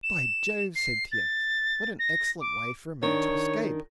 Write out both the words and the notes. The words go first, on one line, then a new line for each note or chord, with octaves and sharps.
"By Jove!" said T. X. "What an excellent way for a man to escape!"
E7
C7
A6
A#6
D6
D#3 D4 C#5